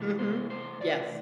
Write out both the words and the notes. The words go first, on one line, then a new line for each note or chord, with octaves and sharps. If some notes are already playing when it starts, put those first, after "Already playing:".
Mhm, yes,
Already playing: C3 E3 A3
C5
C5
D5